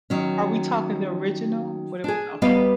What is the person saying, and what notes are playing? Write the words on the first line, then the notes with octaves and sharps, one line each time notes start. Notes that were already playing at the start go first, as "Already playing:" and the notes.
are we talking the original? What are we talking?
D#3 F#3 C#4
D4 G#4
G3 B3 G4 B4 D#5 F5